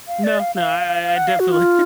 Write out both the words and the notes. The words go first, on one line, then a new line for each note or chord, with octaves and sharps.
No. No, I I I definitely,
F5
D5
F5
F5
F5
F#5
F5
F#4
F4